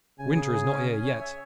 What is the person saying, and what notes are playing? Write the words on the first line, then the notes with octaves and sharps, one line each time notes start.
'Winter is not here yet.
C#3 G#5
G#4
G#5
C#4
G#5
C#5
E5